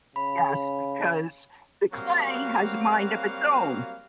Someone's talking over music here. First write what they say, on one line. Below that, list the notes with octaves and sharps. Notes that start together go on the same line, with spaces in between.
Yes, because the clay has a mind of its own,
C#3 B5
F#3 G3 A#3 C4 F#4 F5